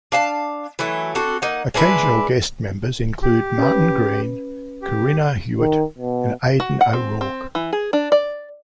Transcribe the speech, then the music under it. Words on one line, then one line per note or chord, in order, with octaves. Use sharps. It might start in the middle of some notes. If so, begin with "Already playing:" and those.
Occasional guest members include: Martin Green, Corrina Hewat and Aidan O'Rourke.
D4 F5 A5
E3 F#3 A3 E4
C4 D4 F#4 A4
A#3 D#4 F#5
G#3 D4 E4 B4
G4
C#4 B4
G4
D#3
B2
F#4
F#5
C4
C4
E3
G#4
D4
D5